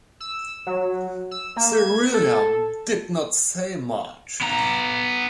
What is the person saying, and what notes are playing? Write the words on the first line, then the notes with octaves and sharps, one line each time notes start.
Sir William did not say much.
E6
F#3
E6
A#3
G#6
A4
B3 A#5